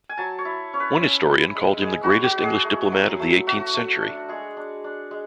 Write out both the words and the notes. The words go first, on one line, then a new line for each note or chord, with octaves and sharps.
One historian called him the greatest English diplomat of the eighteenth century.
G#5
F#3 A5
C#5
E4
C#4 C#5
B4
C#4
E4
G#3
G#3 G#4
F#4
G#3
F#4
G#3
G#4
A3
F#3
A3
A3 F#4
A3
D4
G#3 G#4
D4
D4
G#3